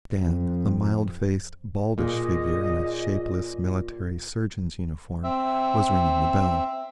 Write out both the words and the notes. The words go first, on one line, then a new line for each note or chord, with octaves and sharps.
Dan, a mild-faced, baldish figure in a shapeless military surgeon's uniform, was ringing the bell.
F2
A#2 G#4 D#5
C4 E5